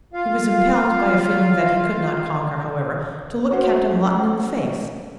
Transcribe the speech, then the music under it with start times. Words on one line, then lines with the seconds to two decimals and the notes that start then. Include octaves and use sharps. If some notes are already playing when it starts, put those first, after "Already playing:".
He was impelled, by a feeling that he could not conquer, however, to look Captain Lawton in the face.
0.13 F4 F5
3.51 C#4 F#4 C5